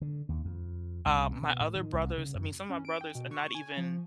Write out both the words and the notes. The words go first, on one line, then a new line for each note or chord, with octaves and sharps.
Uh, my other brothers, I mean, some of my brothers are not even,
D3
D#2
F2
C2
B2
B2
A2
D#3
C2
C#3
F#2
C#4
D7
G5
B2
C#6
G#5
F3